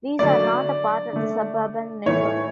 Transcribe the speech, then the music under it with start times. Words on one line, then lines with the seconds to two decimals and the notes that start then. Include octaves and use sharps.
These are not a part of the suburban network.
0.19 D3 F#3 A3 D5
1.13 D3 A3
2.06 A2 E3 A3 C#5